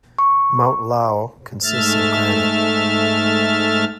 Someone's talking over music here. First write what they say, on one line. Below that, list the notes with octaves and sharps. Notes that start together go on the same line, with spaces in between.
Mount Lao consists of granite.
C#6
G#2 A3 E5 F6 A6